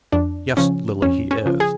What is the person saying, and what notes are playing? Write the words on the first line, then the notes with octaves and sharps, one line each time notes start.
Yes, Lily, he is.
F2 D4
C#3 F3 C#4
F2 C#4
C#4
C#3 F3
G#4